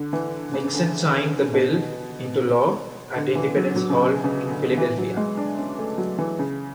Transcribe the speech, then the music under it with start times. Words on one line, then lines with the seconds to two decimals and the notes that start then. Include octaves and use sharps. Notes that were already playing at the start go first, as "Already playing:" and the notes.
Nixon signed the bill into law at Independence Hall in Philadelphia.
Already playing: D3
0.13 E3
0.54 C#3
0.74 D3
1.54 B2
3.16 D3
3.35 E3
3.57 F#3
3.76 F#3
3.90 C#3
3.97 B2
4.24 C#3
4.50 D3
4.78 E3
4.98 F#3
5.17 G#3
5.37 D4
5.59 C#4
5.79 A3
5.98 F#3
6.18 E3
6.39 C#3